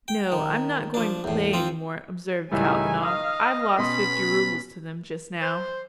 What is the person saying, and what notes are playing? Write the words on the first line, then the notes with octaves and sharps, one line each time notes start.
"No, I'm not going to play any more," observed Kalganov, "I've lost fifty roubles to them just now."
G5
D#3
F3 D4
E2 A2
F3 C4 F4
C#2 A2 D#3 G3 E5 G#5
D#5 F5 D#6
B2 B3 C#4 B5 C6
C5